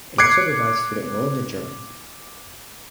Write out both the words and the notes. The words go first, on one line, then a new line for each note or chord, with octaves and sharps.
It also provides student loans in Germany.
D6 F#6 G#6 C7 C#7